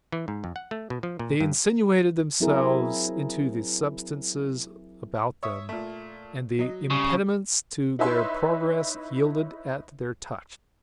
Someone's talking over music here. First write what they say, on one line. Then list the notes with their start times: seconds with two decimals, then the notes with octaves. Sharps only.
They insinuated themselves into the substances about them, and the impediments to their progress yielded at their touch.
0.12 E3
0.28 G#2
0.44 F2
0.56 F#5
0.71 A3
0.90 B2
1.03 F3
1.19 A#2
1.40 G2
2.40 F#3 C4 E4 G#4 A#4
5.43 C#5 E5 D#6
5.69 A#2 A3
6.59 F#3 D#5
6.90 C#3 G3
7.99 D#4 E4 B4 C#5 E5 C6